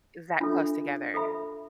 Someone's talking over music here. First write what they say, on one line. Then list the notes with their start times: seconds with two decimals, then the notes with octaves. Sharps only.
that close together.
0.40 D4 F4 A4 E5
1.14 A4 E5 B5